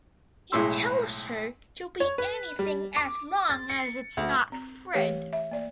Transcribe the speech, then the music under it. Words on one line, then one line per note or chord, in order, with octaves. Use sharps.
He tells her to be anything as long as it's not Fred.
B1 A2 G#3 E4 C6 E6
C#5
B4
G3
D6
A6
C#7
D2
C4
E3 A3 G4 B4 C#5 F5
E5
A#3 D5